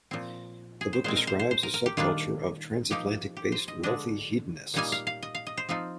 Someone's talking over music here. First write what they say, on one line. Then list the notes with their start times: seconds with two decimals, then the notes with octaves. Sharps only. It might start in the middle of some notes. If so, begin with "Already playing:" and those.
The book describes a subculture of transatlantic-based wealthy hedonists.
0.11 A#2 F3 C4
0.81 G#4
0.93 C5
1.04 A#2 G#3 C4 C5
1.16 A#4
1.27 C5
1.39 C5
1.51 C5
1.63 A#4
1.74 A#4
1.86 G4
1.97 D#3 G3 A#3 D4 F4
2.90 F3 A#3 D#4 G4
3.37 G4
3.52 C5
3.68 D#5
3.83 D3 G#3 D4 D#5
4.74 A#2 G3 A#3 D#4 G#5
4.92 F5
5.07 F5
5.23 D#5
5.35 F5
5.47 D#5
5.57 C5
5.69 F3 C4 D#4 F4